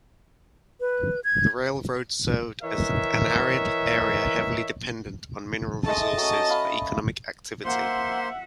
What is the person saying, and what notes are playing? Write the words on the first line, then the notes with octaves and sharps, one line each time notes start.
The railroad served an arid area heavily dependent on mineral resources for economic activity.
B4
G#6
E3 A#4 C#5 D#5 E5
G#3 A3 A4 D#5 A5
F#3 C#4
E5 F5 B5
A#3 C5 E5 F#5 C6